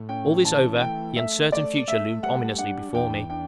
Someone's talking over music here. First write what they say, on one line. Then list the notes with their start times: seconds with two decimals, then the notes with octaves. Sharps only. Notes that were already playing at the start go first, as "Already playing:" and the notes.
All this over, the uncertain future loomed ominously before me.
Already playing: A2
0.09 C#4 G5
0.45 E3 A5
0.80 A3 G5
1.16 A3 E5
1.52 A3 D5
1.88 A3 E5
2.23 G3 F#5
2.59 D4 F#5
2.95 E2 G5
3.30 D4 G5